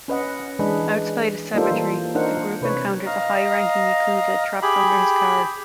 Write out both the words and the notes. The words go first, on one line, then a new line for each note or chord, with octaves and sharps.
Outside a cemetery, the group encounters a high-ranking yakuza trapped under his car.
C#4 B4 D#5 F#5
E3 G#3 D4 G#4 B4
G3 A#3 D#4 F4 A4 C5
E3
D4 D#4 A#4 C5 F#5
C3 B4 C#5
D#5 F5 A#5
G4 G#4 B5